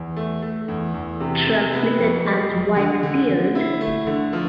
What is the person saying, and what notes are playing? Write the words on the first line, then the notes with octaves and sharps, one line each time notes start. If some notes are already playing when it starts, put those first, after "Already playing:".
Translated as "White Beard".
Already playing: E2
A3
A3
E2
E2
C3
C3
B3
F2
G#3
F2
D3
D3
D3
E4
A3
D3
F3